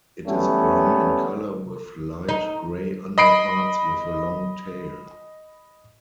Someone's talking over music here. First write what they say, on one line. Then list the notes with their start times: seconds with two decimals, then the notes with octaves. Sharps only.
It is brown in colour with light grey underparts with a long tail.
0.27 E3 G3 A3 B3 C#4
2.29 D#4
3.18 D#5 B5 C7 D7